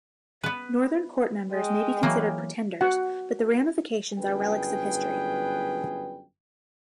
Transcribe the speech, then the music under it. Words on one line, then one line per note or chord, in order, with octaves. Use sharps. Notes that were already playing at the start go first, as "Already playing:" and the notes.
Northern Court members may be considered pretenders, but the ramifications are relics of history.
B3 B4
G#3 G5
E3 F#3 A#3
F#4 F#5
G1 F#2 G3 G#4 B4 G5